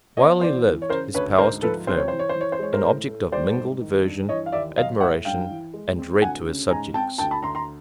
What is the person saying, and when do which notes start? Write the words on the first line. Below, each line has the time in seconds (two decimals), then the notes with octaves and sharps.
While he lived his power stood firm, an object of mingled aversion, admiration, and dread to his subjects.
0.17 B3 C#5 D#5
0.41 E3 C5 D5
0.66 E3
0.82 C#5
0.89 C#3 A#4 C5
1.14 D2 B4 C#5
1.38 G#2 A#4 C5
1.62 F3 A4 B4
1.87 C3 C5
1.98 C#5
2.08 E3 C5
2.19 C#5
2.29 C5
2.35 E3
2.41 C#5
2.52 C5
2.59 G#3 C#5
2.73 A#4 C5
2.83 A2
3.08 A3
3.31 G3 C5 D5
3.56 G#2
3.81 D#3
4.05 G2
4.29 E3 C#5 D#5
4.46 F5
4.52 D#2 D5 E5
4.77 F#3 D#5 F5
5.01 A2 E5 F#5
5.25 G2 F5 G5
5.50 E3
5.74 G#3
5.98 C4
6.22 D2 F#5 G#5
6.47 C#3
6.70 G#2 G#5 A#5
6.94 C4 G5 A5
7.18 D2 G5 A5
7.31 A5 B5
7.43 D2 A#5 C6
7.55 A#5 C6